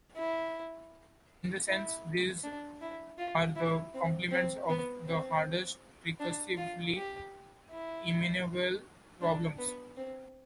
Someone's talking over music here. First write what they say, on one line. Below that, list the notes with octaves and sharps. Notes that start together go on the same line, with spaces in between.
In a sense, these are the complements of the hardest recursively enumerable problems.
E4
E4
D4
E4
F4
E4
C4
C4
B3
C4
D4
F4
G4
E4
D4
B3
C4